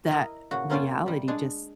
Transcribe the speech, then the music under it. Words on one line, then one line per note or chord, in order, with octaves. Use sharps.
that reality just
E4 A#4 D#5
A#2 C#3 F#4
A#3 C4 C#4 F4 C5 D5
C3 G3
G#3 D4 G#5